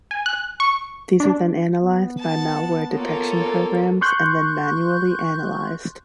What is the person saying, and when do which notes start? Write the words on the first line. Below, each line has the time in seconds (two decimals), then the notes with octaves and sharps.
These are then analyzed by malware detection programs and then manually analyzed.
0.11 G#5
0.26 F#6
0.60 C#6
1.20 D4
1.80 B3
2.19 F#5 A5
2.93 A#3 F4 A4 C#5
4.01 C6 C#6 F#6 G6